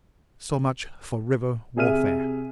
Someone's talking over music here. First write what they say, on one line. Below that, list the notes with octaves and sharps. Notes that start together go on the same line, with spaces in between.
So much for river warfare.
C3 G#4 E5 F6 D#7